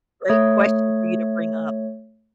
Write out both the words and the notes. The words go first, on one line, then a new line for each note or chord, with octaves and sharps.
great question for you to bring up.
A3 C#5